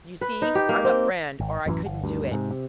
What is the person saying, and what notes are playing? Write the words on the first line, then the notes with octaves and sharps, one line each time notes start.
You see I'm a friend, or I couldn't do it.
B4
D#4
G4
A#3
C4
G#1
A1 F#2 C#3 E3
G1
D2 G2
G#2 C3
C3